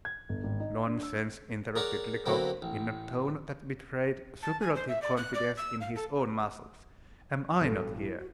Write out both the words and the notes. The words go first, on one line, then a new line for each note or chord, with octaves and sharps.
"Nonsense!" interrupted Lecoq, in a tone that betrayed superlative confidence in his own muscles; "Am I not here?"
G#6
G1
G#1
D#4
D4
E6
G#4 A#4 C#5 D5 F#5
B2 D3 F#3 A#3 C4
A1
A5
G#5
C5
E5
D5
F#6
D5
E6
F5
A4
A1 G2 B2 A4
E4
F#4